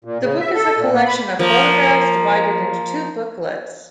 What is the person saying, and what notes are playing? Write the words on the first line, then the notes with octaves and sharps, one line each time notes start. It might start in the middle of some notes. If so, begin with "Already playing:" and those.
The book is a collection of photographs, divided into two booklets.
A#2
C#3
E5
A4
A#2
A#3
B5
F3 A#3